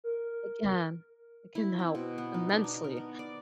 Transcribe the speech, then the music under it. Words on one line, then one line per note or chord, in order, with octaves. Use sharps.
Again, it can help immensely,
A#4
E4
C4
B2
B3
D#4
D4
D#4
A#4
B3
D5